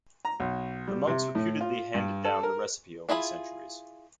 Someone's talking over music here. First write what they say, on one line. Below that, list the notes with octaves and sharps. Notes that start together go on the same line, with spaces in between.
The monks reputedly handed down the recipe over the centuries.
A#5
B1
G3
C3
A2
F4
G2
A4
A#4
D4 E4 F4 G#4 B5